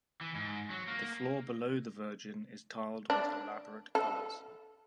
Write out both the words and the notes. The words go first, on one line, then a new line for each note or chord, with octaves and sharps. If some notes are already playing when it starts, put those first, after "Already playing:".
The floor below the Virgin is tiled with elaborate colors.
E3
G#2
F#3
A#3
D4
A4